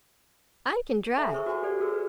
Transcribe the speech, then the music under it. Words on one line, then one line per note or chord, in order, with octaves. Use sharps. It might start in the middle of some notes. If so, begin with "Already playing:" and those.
I can drive.
A4 E5 G#5 A#5
G#4 C5 C#6 E6
F#4 B4 F#5 G#5
G4 A4 C5 D5 F#5
F#4 G#4 A4 B4 E6
B4